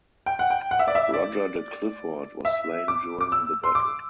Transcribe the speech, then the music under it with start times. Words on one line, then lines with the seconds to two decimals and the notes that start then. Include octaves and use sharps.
Roger de Clifford was slain during the battle.
0.26 G5
0.39 F#5
0.50 G5
0.71 F#5
0.79 E5
0.88 D5
0.95 E5
1.14 D5
2.45 E5
2.88 D6
3.21 D6
3.32 E6
3.64 C6
3.75 D6